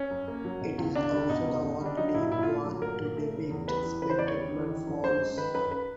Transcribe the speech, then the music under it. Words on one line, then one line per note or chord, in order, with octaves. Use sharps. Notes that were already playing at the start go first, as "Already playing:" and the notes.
It is also the only one to depict spectacular falls.
Already playing: C#4
F#2
A#3
F#3
B2
C#2
C#2 D4
G3
B2 D#4
C#2
C#2
G3
D4
F#3 D#4
A#2 E4
A#2 E4
F4
A3
F#3
A#2 A#4
A#2
A3
C#3
E2
G3 B4
E3
C#3 B4
C5
E2 D5
C#5
G3
E3
D#3
F#2
F#2 C5
G#3
D#3 B4
F#2 B4
B4